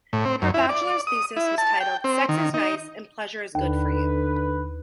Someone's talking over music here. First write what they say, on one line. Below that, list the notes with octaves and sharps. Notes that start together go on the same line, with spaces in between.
Her bachelor's thesis was titled Sex is Nice and Pleasure is Good for You.
A2
C4
F#2
E4
D5
D#6
E4
A5
G5
C4
D#3
D#4
D#2 D3 B4